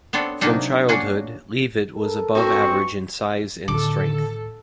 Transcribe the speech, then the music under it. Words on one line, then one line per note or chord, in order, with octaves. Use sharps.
From childhood, Leavitt was above average in size and strength.
B3 C4 D4 A4 C#5
C3 F#3 A#3 D4 D#4
A#3 C#4 D4 F#4 G#4
A4 A#4
G2 G#3 C4 F#4 C#6
A2 D3 D#3 A4 D6